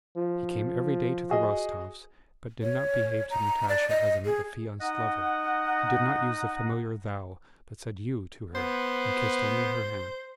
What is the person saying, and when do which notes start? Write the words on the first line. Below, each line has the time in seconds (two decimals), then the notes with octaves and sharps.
He came every day to the Rostovs', but did not behave to Natasha as an affianced lover: he did not use the familiar thou, but said you to her, and kissed only her hand.
0.17 F3
1.30 F#4 G#4 D#5
2.62 C#5
3.30 A#5
3.69 D5
3.89 D#5
4.25 G#4
4.81 D#4 D#5 F#5
8.55 B3 C5